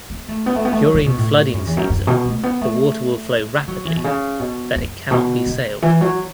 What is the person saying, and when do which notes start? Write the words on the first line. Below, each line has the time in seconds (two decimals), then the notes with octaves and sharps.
During flooding season the water will flow rapidly that it cannot be sailed.
0.10 B3
0.29 A3
0.46 B3
0.56 A3
0.65 B3
0.73 A3
0.82 F#3
0.94 C#3
1.06 B2
1.18 A2
1.53 F#2
1.66 E2
1.77 F#2
1.90 F#2
2.07 B2
2.25 A3
2.43 B3
2.61 A3
3.68 F#3
3.85 E3
3.97 B2
4.04 C#3
4.40 B2
4.76 F#2
5.11 B2
5.46 C#3
5.82 E3
6.01 F#3